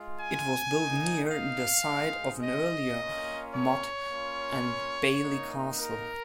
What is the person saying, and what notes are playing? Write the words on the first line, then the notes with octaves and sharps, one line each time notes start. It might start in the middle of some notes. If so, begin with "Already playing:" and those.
It was built near the site of an earlier motte and bailey castle.
Already playing: G#3 F4
G#5
A#3 D#4
F5
G#3 D#4
D#5
A#3 C#4 F4
C#5
A#3 C#4 F4
A#3 D#4
A#4